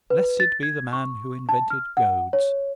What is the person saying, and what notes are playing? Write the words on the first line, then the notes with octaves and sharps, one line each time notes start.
Blessed be the man who invented goads!
B4
A6
G#6
C#6
A5
F6
F#5
C#5